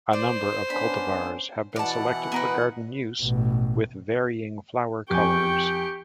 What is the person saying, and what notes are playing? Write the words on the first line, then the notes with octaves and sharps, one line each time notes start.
A number of cultivars have been selected for garden use, with varying flower colors.
C5 D5
B3 C#4 D4 B5
B2 E3 D5 F#5 A5
B3 A#4 B4
A1 B2
F2 G4 G5 G#5 C#6